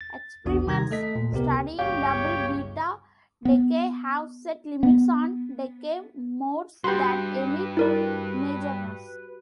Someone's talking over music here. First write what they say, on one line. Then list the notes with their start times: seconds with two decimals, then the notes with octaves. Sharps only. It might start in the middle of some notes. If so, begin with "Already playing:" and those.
Experiments studying double beta decay have set limits on decay modes that emit majorons.
0.01 A6
0.45 A#1 E2 B3 D4 F#4 D#6
0.67 C3 D#3 G3 A#5 G#6 A#6
0.91 A3 A4 D#5 B6
1.15 A#2
1.32 C#2 C3 B3 G4 A#4
1.79 G1 C#2 G4 C#5 F5
3.45 B3
4.83 B3
6.84 G2 F#4 G4 B4 B5 C6
7.77 E4 A#4 D5